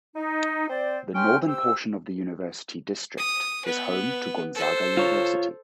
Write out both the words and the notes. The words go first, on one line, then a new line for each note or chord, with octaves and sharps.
The northern portion of the University District is home to Gonzaga University.
D#4
C4 C5 D5
C#4 G5 C6 F6
G4 C5 E6
D#6
B3 B4
A4 C5
F4 C#5